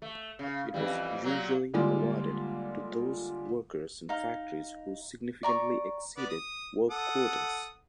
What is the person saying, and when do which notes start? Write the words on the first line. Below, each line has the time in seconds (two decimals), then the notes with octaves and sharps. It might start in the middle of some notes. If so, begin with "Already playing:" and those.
It was usually awarded to those workers in factories who significantly exceeded work quotas.
0.02 A3
0.39 C#3
0.74 F2 E3 G3
1.24 A#2 F#3 A#3
1.74 D3 G3 G#3 A#3 F4
4.09 D#4 F5
5.43 D5 A#5 C#6
6.17 B3 D5
6.30 D#6
6.91 A4 F#5 D#6